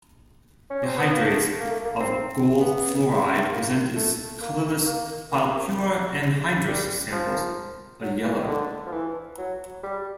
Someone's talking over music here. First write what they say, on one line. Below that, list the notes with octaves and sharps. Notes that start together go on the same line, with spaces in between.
The hydrates of AgF present as colourless, while pure anhydrous samples are yellow.
C#4
C4
B3
A#3
A3
A#3
A3
A#3
C4
B3
A#3
A3
A#3
A#3
A#3
G3
F3
F#3
E3
D#3
D3
F3
E3
F#3
G3